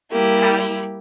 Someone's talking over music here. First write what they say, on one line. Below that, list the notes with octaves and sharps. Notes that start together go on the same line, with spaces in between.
W how you
G3 A#3 E4 G4